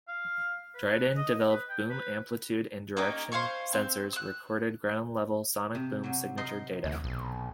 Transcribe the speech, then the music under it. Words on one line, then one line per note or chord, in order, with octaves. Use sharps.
Dryden-developed Boom Amplitude and Direction Sensors recorded ground-level sonic boom signature data.
F5
B4
D#5
B4
G5
B4
A#3 C#4 D#4 G4
C5 F5 G#5 C#6
C4
E6 F#6
C3
C3 F#3
D#4 A#4 C6
D2
B1